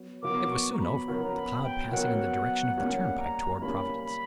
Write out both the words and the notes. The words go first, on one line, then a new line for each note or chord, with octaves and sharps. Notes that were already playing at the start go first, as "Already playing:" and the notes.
It was soon over, the cloud passing in the direction of the turnpike toward Providence.
Already playing: F#3 B3 C#5
F#3 B3 F#4 A#4 C#5 D6
C#6
A#5
B5
F#3 B3 F#4 A#4 C#5 B5
A#5
B5
G5
F#3 B3 F#4 A#4 C#5 F#5
G3 A#3 C#4 G4 C#5 F#5
A#5
A#5
G3 A#3 C#4 G4 C#5 B5
B5